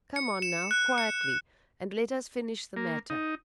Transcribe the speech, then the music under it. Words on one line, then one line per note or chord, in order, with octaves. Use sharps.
Come on now, quietly, and let us finish the matter.
C#7
E7
F#6
C#7
A#3
D#4